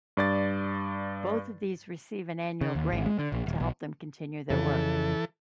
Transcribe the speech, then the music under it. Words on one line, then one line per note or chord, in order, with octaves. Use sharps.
Both of these receive an annual grant to help them continue their work.
G2 D5 A6
C#3
D#2
G#1
G#3
D3
A#1
D#1
B1
F2 C#3 E3 A4